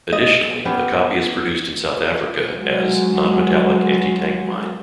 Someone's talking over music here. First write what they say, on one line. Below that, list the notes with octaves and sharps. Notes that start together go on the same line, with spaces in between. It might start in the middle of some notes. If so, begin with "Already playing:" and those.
Additionally, a copy is produced in South Africa as "Non-metallic anti-tank mine".
D#5
B3 C#4 G4
F#3 G#3